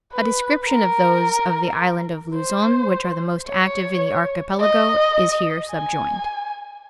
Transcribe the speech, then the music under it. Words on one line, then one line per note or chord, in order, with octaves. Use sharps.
A description of those of the Island of Luzon, which are the most active in the archipelago, is here sub-joined.
B4
A#4
C5
C#5
D#5
G#5